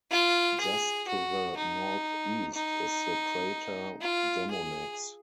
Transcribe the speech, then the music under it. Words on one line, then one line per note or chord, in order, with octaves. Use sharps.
Just to the northeast is the crater Demonax.
F4
G#4
F#4
D#4
D#4
F4
G#4